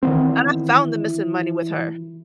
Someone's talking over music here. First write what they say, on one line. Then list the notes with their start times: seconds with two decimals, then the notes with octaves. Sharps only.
And I found the missing money with her.
0.03 D#3 E3 B3 C4